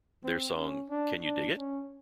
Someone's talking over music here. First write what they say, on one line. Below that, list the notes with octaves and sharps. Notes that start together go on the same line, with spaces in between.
Their song Can You Dig It?
C4
C#4
D4
D4
C#4